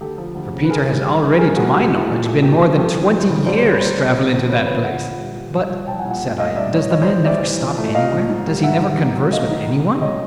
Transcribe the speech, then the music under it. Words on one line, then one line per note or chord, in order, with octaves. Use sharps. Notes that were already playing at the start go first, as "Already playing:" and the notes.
For Peter has already, to my knowledge, been more than twenty years travelling to that place." "But," said I, "does the man never stop anywhere, does he never converse with anyone?
D2 G4 A4
F3
D2
C#3
B4
D#2 G#4 A#4
G3
D#2
D#3
G2 G#4 A#4
A3 F#4 G#4
G2 G4
E3
A#2
A3
A#2 G4
F#3
F2 G4 A4
E3
G3
C#3
C2 C5 D5
C5 D5
G3
B4 C#5
C2 C5 D5
B2
D2
F3
D2 B4 C#5
D3 B4 C#5
A#2 E5 F#5
A#2
G3
G3
C2
F3
C2 G5 A5
F#5 G#5
A#2
F#5 G#5
G2
A3 D#5 F5
G2 D5 E5
E3 C#5 D#5
A2 C#5 D#5
C5 D5
G3
A2 D5 E5
E3
A#2
A3
A#2 D#5 F5
F3
G#2
G3
G#2 E5 F#5
D#3
G#2
F#3
A3 D#5 F5
D#3
C#2
G3
C#2 C#5 D#5